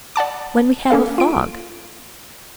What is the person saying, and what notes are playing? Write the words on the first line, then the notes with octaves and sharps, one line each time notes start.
"When we have a fog."
D5 F#5 A5 D6
A#3 C#4 A4 F5
F4 D7